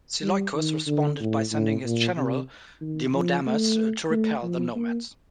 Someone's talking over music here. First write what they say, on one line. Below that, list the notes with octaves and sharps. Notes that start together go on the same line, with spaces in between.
Seleucus responded by sending his general Demodamas to repel the nomads.
G3
D#3
D3
A2
A2
A#2
C3
D#3
F3
A3
A3
F3
A#3